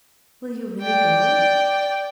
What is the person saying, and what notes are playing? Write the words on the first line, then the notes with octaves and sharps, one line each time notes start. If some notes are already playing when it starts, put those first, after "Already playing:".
'Will you really go?
D5 G5